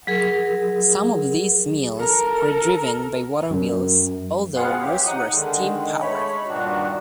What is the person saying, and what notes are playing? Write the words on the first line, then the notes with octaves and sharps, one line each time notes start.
Some of these mills were driven by waterwheels, although most were steam powered.
F#3 G#4 A#4
A4 A#4
F#2
B3 C4 F4 G#4 F5 F#5
E3 F#3 G4
D#4 F#5 D#6
D3 D#3 G#3
G#3 A3 C#5 B5
G2 A#2 D#3 D4 F#4